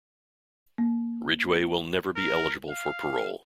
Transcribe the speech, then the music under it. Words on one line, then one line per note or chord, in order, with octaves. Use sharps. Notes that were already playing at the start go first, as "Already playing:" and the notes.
Ridgway will never be eligible for parole.
A#3
A#4
F5